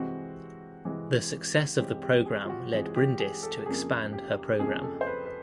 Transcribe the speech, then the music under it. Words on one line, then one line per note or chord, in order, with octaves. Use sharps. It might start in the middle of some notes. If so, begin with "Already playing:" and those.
The success of the programme led Brindis to expand her programme.
Already playing: C3 E3 G#3 C4 F#4
C3 E3 G#3 C4
C3 E3 G#3 C4 G4
G4
G#4
F4
F#4
C3 E3 G#3 C4 G#4
G#4
G4
G#4
A4
F2 C#3 F3 A#3 G#4
G4
F2 C#3 F3 A#3 G#4
A4
C5
B4
B4